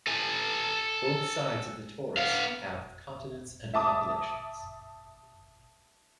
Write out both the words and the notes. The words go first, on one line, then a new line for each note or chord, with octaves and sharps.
Both sides of the torus have continents and populations.
A4 G#5
B3 F5
E5 A5 D6 D#6